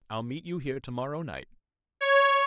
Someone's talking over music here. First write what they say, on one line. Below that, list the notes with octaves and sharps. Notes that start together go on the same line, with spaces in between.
I'll meet you here to-morrow night.
C#5